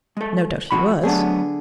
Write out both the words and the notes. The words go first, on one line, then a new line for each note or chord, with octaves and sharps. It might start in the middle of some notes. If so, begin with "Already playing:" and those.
"No doubt he was."
G#3 A4
F2 F#4 B5
D3 F#3 A3 B3 D4 G#4